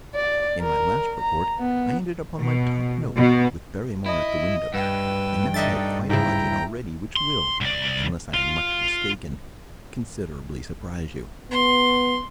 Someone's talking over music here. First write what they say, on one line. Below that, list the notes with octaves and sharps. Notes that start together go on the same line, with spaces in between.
In my last report I ended upon my top note with Barrymore at the window, and now I have quite a budget already which will, unless I am much mistaken, considerably surprise you.
D5
A#4
A#5
B3
B2
B2
E4 D#5
G2 B4 G5 E6
D4 D#4 A4 D#5 E5 A6
G#2 C#3 E4 G5 A#5
C6
C2 D5
F4
B3 C6